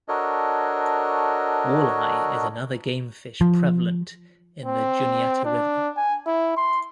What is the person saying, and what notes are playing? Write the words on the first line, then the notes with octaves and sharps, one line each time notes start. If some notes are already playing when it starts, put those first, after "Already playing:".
Walleye is another game fish prevalent in the Juniata River.
D4 F#4 A4 A#4 C#5 D#5
F3
C4
D4
G#5
E4
C6